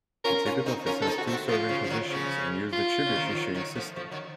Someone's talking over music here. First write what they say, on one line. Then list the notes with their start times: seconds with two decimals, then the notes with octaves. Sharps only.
The ticket office has two serving positions and uses the Tribute issuing system.
0.25 C#4 F4 A#4
0.46 C#4 F4
0.66 C4 D#4
0.86 C#4 F4 A#4
1.02 A4
1.07 C4 D#4
1.18 F#4
1.27 A3 C4
1.33 F#4
1.48 F3 A3 F4
1.69 C#3 F3
1.84 F3
1.90 D#3 F#3
2.10 C#3 F3
2.73 F4
3.06 C#3
3.16 D#3
3.26 F3
3.35 D#3 F#3
3.55 D#3 F#3
3.75 F3 A3
3.96 F3 A3
4.11 D#3 F#3